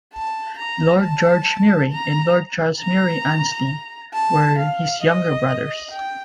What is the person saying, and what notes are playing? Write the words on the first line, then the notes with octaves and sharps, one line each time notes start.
Lord George Murray and Lord Charles Murray-Aynsley were his younger brothers.
A5
A#5
A5
A#5
A#5
A5
F5
D#5
G5